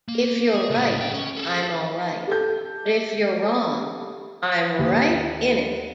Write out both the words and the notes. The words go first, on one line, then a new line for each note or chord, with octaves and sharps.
If you're right, I'm alright; but if you're wrong, I'm right in it!
A#3
G#4
C#2 A2
D3 G5
C#4
G#4 A4
G4 A4 G6
D#2